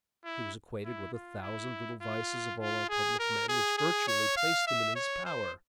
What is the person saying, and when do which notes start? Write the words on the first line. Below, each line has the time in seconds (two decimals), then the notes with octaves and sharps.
He was acquainted with a thousand little vices of all our public men, which virtually placed them in his power.
0.25 E4
0.85 E4
1.13 F4
1.42 E4
2.01 F4
2.60 F4
2.89 G#4
3.20 A#4
3.48 G#4
3.78 G#4
4.08 C#5
4.37 F5
4.67 E5
4.96 C#5
5.26 C5